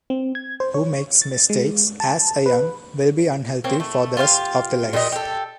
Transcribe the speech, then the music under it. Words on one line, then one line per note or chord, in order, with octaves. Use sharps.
Who makes mistakes as a young will be unhealthy for the rest of the life.
C4
G#6
C5
C#5
A6
G#3
A5
B4
A#3 C4 C#5
A3
F4 G4 C5 F5
A#2 G3 G#4 D#5
G4 A4